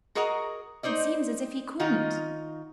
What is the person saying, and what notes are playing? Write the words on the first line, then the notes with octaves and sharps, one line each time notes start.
"It seems as if he couldn't."
F#4 G#4 A#4 D#5 F#5 A#5
D#4 C5 D5 D#5
D#3 D#4 F4 F#4